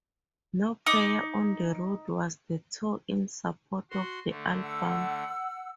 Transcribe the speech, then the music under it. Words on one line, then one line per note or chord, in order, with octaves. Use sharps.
No Prayer on the Road was the tour in support of the album.
D#4 D6 D#6
F#4 C6
D3 A3
F#5 E6